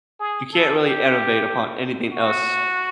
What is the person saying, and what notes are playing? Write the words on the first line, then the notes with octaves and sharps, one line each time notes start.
You can't really innovate upon anything else
G#4
A4
G4
F#4